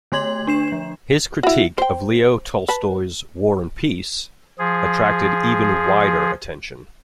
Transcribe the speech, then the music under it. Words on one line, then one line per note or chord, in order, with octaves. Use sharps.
His critique of Leo Tolstoy's "War and Peace" attracted even wider attention.
D3 A3 C#5 C6 G#6 F#7
D4 C7 E7
F3
E4 F#4
C5 G5
B4 A5
F3 G#4